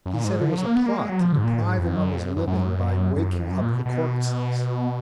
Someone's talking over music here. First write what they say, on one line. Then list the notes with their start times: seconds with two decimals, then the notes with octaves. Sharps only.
He said it was a plot to deprive him of his living by waking up the corpses.
0.06 F#2
0.14 A#2
0.24 G#2
0.41 D3
0.50 F3
0.58 F#3
0.66 A#3
0.76 B3
0.86 A#3
0.99 G#3
1.09 F#3
1.20 F3
1.32 D3
1.38 G#2
1.44 A#2
1.61 G#2
1.79 F2
1.95 F#2
2.13 F2
2.24 F#2
2.36 F#2
2.47 F#2
3.16 F#2
3.34 F2
3.51 F#2
3.62 A#2
3.73 B2
3.85 B2